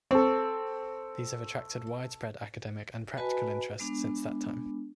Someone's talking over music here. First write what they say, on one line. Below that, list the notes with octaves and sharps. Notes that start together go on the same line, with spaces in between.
These have attracted widespread academic and practical interest since that time.
C4 A4 C#6
F#4 B4 D#5 G#5 A5 B5
G#3 B3 D4